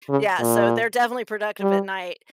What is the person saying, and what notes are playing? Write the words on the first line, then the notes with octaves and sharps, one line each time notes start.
yeah, so they're definitely productive at night.
C#3
A#2
G3